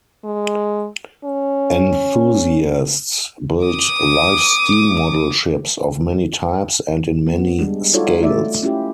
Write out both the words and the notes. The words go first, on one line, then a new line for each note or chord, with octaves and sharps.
Enthusiasts build live steam model ships of many types and in many scales.
G#3
C#4
D6 D#6
B3
G3 G#3 D4
D#4 F4 F#4 A4 C#5 D5
A3 D5 E5
C#4 E4 F4 G4